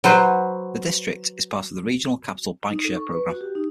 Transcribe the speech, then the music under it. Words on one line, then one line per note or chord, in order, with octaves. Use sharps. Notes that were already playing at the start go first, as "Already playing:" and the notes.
The District is part of the regional Capital Bikeshare program.
F#3 B4 C5
D#4
A4
C#6
B4
F#4
G4
D#4